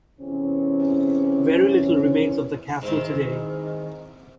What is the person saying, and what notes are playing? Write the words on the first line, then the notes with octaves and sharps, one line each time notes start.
Very little remains of the castle today.
E2 C3 C4 C#4
G#2 D#3 C4 E4 C5